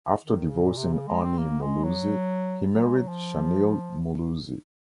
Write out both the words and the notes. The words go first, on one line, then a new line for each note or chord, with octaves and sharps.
After divorcing Annie Muluzi, he married Shanil Muluzi.
D#3
C#3
A#2
C3
C#3
G#3
C4
A#3
G#3
F#3
F#3
G#3
F#3
F3